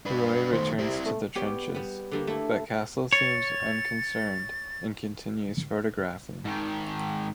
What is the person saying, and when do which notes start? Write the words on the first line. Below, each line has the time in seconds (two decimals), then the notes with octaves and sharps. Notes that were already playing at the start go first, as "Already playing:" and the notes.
Roy returns to the trenches but Castle seems unconcerned and continues photographing.
0.06 D4 B4
0.53 D#3 A3 C5
0.79 C3 C4 E4
1.06 A3
1.35 B3 G4 C#5 D5
1.75 G3 B3
2.11 D3 G3 A#3
2.27 A3 E4
3.13 C#5 A6
6.45 G#2 D#3